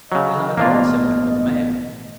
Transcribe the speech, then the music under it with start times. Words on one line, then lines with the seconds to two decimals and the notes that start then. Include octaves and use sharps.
It is not at all similar for the man.
0.12 C#3 F#3 D#5
0.57 A1 B2 A#3 D4 F4